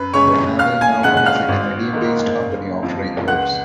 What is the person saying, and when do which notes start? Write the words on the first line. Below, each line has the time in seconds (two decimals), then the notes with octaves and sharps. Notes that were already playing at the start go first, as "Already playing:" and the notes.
The family now has a Canadian-based company offering herbs.
Already playing: F#2 B4
0.14 C#3 G#3 C#4 C#5 C#6
0.59 D#2 F5 F6
0.81 G#5 G#6
1.03 C#3 G#3 C#4 F#5 F#6
1.17 F#6
1.26 F5 F6
1.48 G#1
1.93 G#2 D#3 A#3
2.38 F#1
2.82 F2 F3
3.28 C#2 F#5 F#6